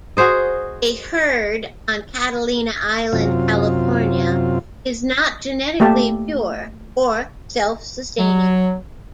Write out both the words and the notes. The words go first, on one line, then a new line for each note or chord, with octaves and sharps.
A herd on Catalina island, California is not genetically pure or self-sustaining.
F#4 G#4 C5 D#5
F#2 C3 F4
A3 A#3 G4 E5 A5
F#3